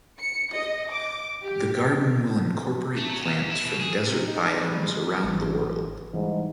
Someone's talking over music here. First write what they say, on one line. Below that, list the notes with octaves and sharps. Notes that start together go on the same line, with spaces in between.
The garden will incorporate plants from desert biomes around the world.
C#7
D#5
D6
G4
A3
F#3
A#2
E2
E4
B2
G#4
C3
D#4
G3
G#3
G#1 E3
G#2 E3 G3